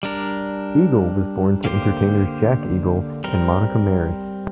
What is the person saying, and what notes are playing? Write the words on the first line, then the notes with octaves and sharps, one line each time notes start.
Eagle was born to entertainers Jack Eagle and Monica Maris.
G3 D4 A#4
D3 A#3 G4 C5
G3 C4 A#4